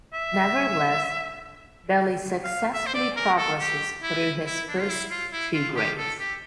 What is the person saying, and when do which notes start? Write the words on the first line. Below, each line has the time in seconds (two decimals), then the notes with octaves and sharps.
Nevertheless, Billy successfully progresses through his first two grades.
0.13 E5
2.44 F5
2.73 E5
2.86 C5
2.94 D5
3.16 A#4
3.37 A4
3.60 G4
4.03 E4
4.46 E4
4.68 D4
4.79 F4
4.89 E4
5.11 F4
5.32 E4
5.54 F4
5.76 G4
5.98 A4
6.19 G4